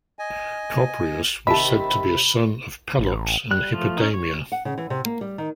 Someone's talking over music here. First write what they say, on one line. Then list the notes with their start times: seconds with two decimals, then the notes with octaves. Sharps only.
Copreus was said to be a son of Pelops and Hippodameia.
0.19 D#5 G#5
1.47 C3 D#3 E5 A5 B5
2.99 A1
3.51 G3 F#6
3.72 F3 A3 F4
3.97 C#4 D#4
4.14 C#5
4.52 F#5
4.65 C#3
4.78 E3
4.90 C3
5.05 A#3
5.21 G3
5.38 D#3